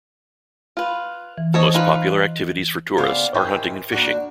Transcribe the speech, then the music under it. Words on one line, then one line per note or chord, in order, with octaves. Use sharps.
The most popular activities for tourists are hunting and fishing.
F4 B4
E3
A4 C5 C#5 D#5 C#6
D#4 F4 B4
D2 C#3 B3 C5 D5 F5
G#2 D#3 E3 C4 C#4 G4
D#2 D4 F#4